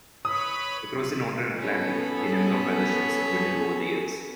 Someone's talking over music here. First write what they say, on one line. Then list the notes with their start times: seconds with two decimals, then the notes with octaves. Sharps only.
Across the northern Atlantic, the number of weather ships dwindled over the years.
0.25 B4 C#5 B5 D#6
1.59 B3 C#4 A4 B5